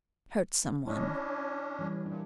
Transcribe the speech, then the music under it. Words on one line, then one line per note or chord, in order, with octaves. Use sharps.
Hurt someone.
C#4 D4 E4 C#5 D#5
E3 G3
A#2 D4